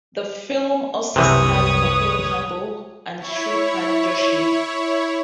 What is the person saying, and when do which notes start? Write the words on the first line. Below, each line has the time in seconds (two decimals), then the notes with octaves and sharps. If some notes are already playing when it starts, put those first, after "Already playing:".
The film also stars Kapil Kamble and Shripad Joshi.
1.16 C2 F#2 C3 E3 C4 B4 C#5 D#6
3.19 E4 C#5